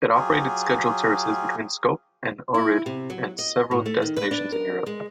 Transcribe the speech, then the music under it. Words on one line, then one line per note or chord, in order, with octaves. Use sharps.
It operated scheduled services between Skopje and Ohrid and several destinations in Europe.
F#3 F4 G4 G#4
E4
C3
F#3
D#5
A2
A3
D#3
B4
D4
A#4
G#3